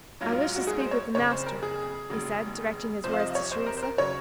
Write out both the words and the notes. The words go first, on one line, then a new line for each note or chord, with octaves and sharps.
"I wish to speak with the Master," he said--directing his words to Teresa.
A#1 G#2 F#3 F4
F4
F4
F#4
G#4
C5
C#5
F#1 F2 C#3 C#5
C5
A#4
G#4
F1 D#2 C#3 F#3
C2 C3 F3 C5
F5
D#5
C#5
C5
A#4
C5
A#4
C#3 F#3 C#5